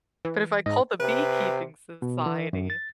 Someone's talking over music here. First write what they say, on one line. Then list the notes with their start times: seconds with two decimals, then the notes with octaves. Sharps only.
but if I call the beekeeping society
0.25 E3
0.66 G#2 D#5
1.00 C3 B4
2.02 B2
2.26 E3
2.53 F#2
2.70 A6